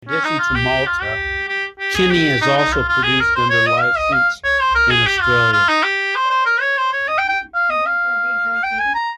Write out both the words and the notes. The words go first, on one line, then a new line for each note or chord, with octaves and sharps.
In addition to Malta, Kinnie is also produced under licence in Australia.
C#4
D#4
F4
G4
F4
G4
G4
G4
G#4
G4
D#4
D#4
F4
F4
G#4
A#4
C5
C#5
D#5
F5
D#5
F5
C#5
C5
A#4
G#4
G4
F4
F4
D#4
G4
C5
C5
A#4
C#5
C5
C#5
D#5
G5
G5
F5
D#5
F5
G5
G#5
A#5